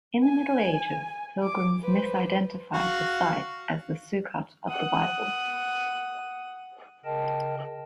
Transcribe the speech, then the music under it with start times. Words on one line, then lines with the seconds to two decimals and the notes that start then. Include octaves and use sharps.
In the Middle Ages, pilgrims misidentified the site as the Sukkot of the Bible.
0.24 G#5
1.43 D6
1.82 B4 C5
2.74 F#4 F5
4.68 F#5 D#6
7.05 C#3 A#4 D#5 G5 A5